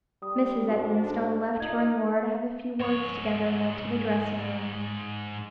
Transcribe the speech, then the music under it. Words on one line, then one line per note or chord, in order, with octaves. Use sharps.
Mrs. Edmonstone left her and Laura to have a few words together, and went to the dressing-room.
G3 D#6
G#2 D4 F#4 A4
A#2 D#4 G#6
G#2 C#5